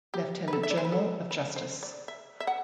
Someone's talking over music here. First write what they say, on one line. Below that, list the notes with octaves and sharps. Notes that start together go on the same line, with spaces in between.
Lieutenant General of Justice.
G4
B4
A4
E5
D5
C5
B4
A4
B4
C5
D5
E5
E5
F#5